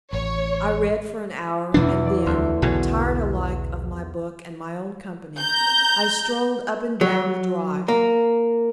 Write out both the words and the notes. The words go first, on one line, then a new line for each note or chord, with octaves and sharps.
I read for an hour, and then, tired alike of my book and my own company, I strolled up and down the drive.
A1 C#5
E2 B2 E3 D4
D5
D2 A3 C6
B1 B2 D3 F#4 G#4
A#5 G6
F#3
A#3